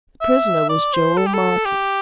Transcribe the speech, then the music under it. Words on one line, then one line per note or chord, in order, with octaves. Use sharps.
The prisoner was Joel Martin.
E5
D5
C5
A4
G4
A4
G4